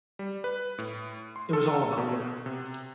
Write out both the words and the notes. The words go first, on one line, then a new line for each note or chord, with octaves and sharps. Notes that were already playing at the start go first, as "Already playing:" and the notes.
It was all about work.
G3
B4
A2
C6
A4
B2
C3